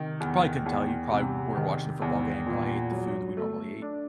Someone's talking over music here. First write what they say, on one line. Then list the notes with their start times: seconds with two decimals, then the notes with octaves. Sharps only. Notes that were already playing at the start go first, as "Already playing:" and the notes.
probably couldn't tell you. Probably we're watching a football game, probably ate the food that we normally eat.
Already playing: C3 D#3
0.20 E2
0.66 E2
1.11 C3
1.56 D#3
2.02 E2
2.46 A#2
2.91 F#3
3.37 A3
3.82 D4